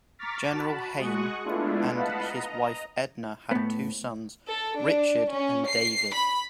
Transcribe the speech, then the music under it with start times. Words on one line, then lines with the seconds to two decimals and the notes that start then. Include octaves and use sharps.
General Heyn and his wife Edna had two sons, Richard and David.
0.19 A#5 C#6 D6 F6 A6 B6
0.52 F#4 A5 B5
0.99 G#3 F#4 C#6 D#6 F#6
1.44 G#3 A3 B3 D4 E4 F4
1.93 B4 D#5 F5 F#5 A5 B5
2.26 D#5 A#5
3.51 A2 B3
4.49 A4
4.80 D4
5.33 C#4
5.69 C7
6.15 B5